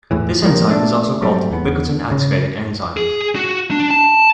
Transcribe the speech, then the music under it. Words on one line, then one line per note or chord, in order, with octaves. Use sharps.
This enzyme is also called ubiquitin-activating enzyme.
E2 A2 E3
F3 G3 A#3
A3 C4 D4
F#3 G3 A3 C4
E2 B3
C#3
G#4
F#4
D4
A5